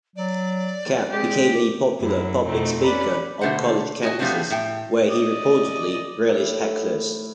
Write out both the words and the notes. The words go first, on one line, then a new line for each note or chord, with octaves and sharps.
Capp became a popular public speaker on college campuses, where he reportedly relished hecklers.
F#3 D5
G#3 C4 G4
F#2 F#3 E4
F2 B2 A3 C4 D#4
C#4 B4 D5 B5
B2 D3 A3 C5 F#5
F#4 D#5 G#5
F3 G3 A3 B3 C4 D4
A2 G5
D5 D#5
A2